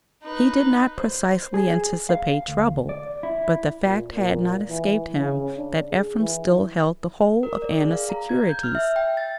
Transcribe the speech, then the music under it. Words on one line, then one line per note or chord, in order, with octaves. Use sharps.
He did not precisely anticipate trouble, but the fact had not escaped him that Ephraim still held the whole of Anna's securities.
D#4 B4
C5
G#4
F5
D2
D5
E4
A#2
A#2
E3
C#3
D4
G#4
E3
A#4
D5
G#4
F5
A#5
G#6
G6
F6
E5
G5
A6